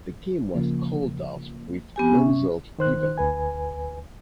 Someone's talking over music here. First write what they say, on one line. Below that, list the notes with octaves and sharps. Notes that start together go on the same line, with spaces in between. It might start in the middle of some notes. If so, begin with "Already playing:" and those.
The game was called off with no result given.
C#3 F3 A#3
B3 G4 G#5
C3 C#4 E5
D#3 C5 F#6
D2 B4 G#5